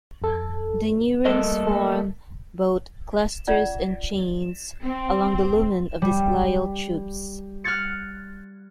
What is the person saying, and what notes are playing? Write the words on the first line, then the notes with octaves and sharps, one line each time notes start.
The neurons form both clusters and chains along the lumen of these glial tubes.
F2 A4
G3 A3 A#3 A4 D#5
C#4 F4 D5
C4
G3
F6 F#6 G#6 A6 C#7